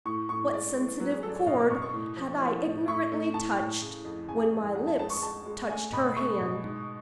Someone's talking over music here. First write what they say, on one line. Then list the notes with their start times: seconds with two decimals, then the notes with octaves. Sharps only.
What sensitive chord had I ignorantly touched, when my lips touched her hand?
0.06 A2 C#6
0.29 A2 C#6
0.52 G#3 D5
0.77 G#3
1.00 F#3 B4
1.12 G#4
1.23 F#3 A4
1.29 D5
1.35 C#5
1.46 B2 F5
1.59 D6
1.70 B2 C#6
1.82 C#6
1.93 A2
2.17 F3
2.41 F3
2.65 A2
2.88 A2 C#6
3.12 A3
3.34 A2 A5
3.58 A2
3.82 C#3
4.05 F2
4.28 C#3 G#5
4.52 F2
4.75 F2 F#5
4.87 A5
4.99 G#3 A5
5.10 C#6
5.23 G#3 A5
5.45 G#3
5.70 A3 G#5
5.92 B2 B5
6.17 A3 C#6
6.40 B2
6.64 G#2